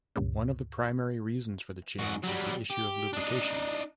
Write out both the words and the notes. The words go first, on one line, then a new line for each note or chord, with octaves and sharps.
One of the primary reasons for the change was the issue of lubrication.
C#2 G2 A#2 C#3
G#2 F#4
F#3 G3
G4
D4 D#4